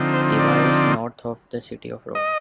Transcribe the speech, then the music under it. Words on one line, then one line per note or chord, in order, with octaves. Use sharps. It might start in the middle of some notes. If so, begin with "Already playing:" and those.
Ava is north of the city of Rome.
Already playing: D3 F3 C4 D#4
C5
D5
D#5